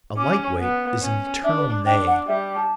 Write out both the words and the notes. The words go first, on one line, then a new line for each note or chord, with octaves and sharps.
"A light-weight is an eternal nay."
C#4 D6
D6
C#6
B3
C#4
D4 E5
B4
D4 G5
F#5
G3 E5
A5